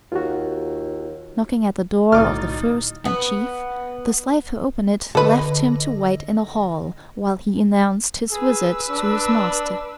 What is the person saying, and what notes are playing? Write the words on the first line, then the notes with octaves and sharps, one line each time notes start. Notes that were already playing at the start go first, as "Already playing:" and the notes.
Knocking at the door of the first and chief, the slave who opened it left him to wait in a hall while he announced his visit to his master.
D#2 F4 F#4
B1 A2 D3 D#4 F#4 D6 F6 A6
B3
D3 A4 B4 D#5
G#4 B4 E6
D4